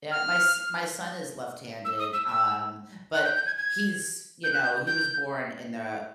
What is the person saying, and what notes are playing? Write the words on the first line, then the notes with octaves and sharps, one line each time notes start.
Yup, my s my son is left-handed, um, but he's you know, he was born in the
F6
E6
D#6
E6
E6
F#6
G6
G6
G#6
G#6
G6
F#6
G6
G6